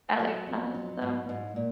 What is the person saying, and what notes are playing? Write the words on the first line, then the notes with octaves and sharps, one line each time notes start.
I like that, so
F#3
F2
F#3
G#2
G#2
A#2